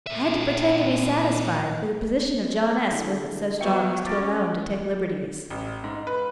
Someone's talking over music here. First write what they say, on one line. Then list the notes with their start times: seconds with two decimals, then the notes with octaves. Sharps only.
I had to pretend to be satisfied, for the position of John S. wasn't so strong as to allow him to take liberties.
0.07 A#2 E5
2.91 D3 E4 G#4
3.60 F#3 B3 F#4 E5 G5 C#7
4.05 C#4 D6 A6 D7
5.50 A1
5.84 G#2
6.07 B4